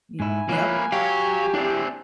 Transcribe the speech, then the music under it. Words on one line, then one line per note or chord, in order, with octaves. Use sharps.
Y yep.
G#2 E4 G#5
F3 A#3 C#4 E4 B4
F#3 G4 C#5 F5
C4 D4 E4 G#4 D5